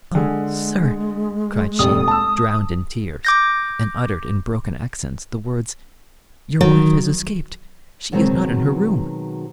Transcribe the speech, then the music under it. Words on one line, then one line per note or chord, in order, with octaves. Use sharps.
"Oh, sir," cried she, drowned in tears, and uttered in broken accents the words, "Your wife has escaped--she is not in her room!"
D3 G#3 G#4
F1 A#1 D#2 D#6
A5 E6
D6 G6 A#6
D#3 F#3
B2 D#3 F#3 G#3 B3 C4